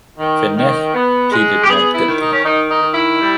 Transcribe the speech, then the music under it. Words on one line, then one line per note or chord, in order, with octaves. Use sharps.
Fenech pleaded not guilty.
D#3
D#3
B3
G#3
G4
B3 G#4
E4
D#3
D#4
C#4
D#3 D#4
D#4
D#3
E4
G3